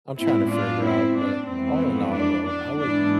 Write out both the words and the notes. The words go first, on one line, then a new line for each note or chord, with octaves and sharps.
I'm trying to figure out. But all in all, though, I would
A2 G#3 B3 C4 E4
D4 F4
C4 E4
D4
F2 E3 G#3 B3 C4
D4
D4
G#2 E3 B3 D4